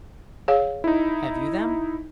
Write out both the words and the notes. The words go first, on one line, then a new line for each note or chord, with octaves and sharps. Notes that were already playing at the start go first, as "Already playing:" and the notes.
"Have you them?"
G#4 C#5 F5
D#4 E4